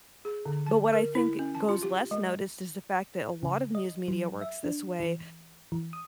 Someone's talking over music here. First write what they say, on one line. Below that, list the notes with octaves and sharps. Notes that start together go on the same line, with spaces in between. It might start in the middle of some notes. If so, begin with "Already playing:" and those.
but what I think goes less noticed is the fact that a lot of news media works this way.
G#4
D3
A5
A#4
E4
C#4
A5
F4
G4
G#3
C#3
D#5
F#3
E5
D4
E3
E3
D#6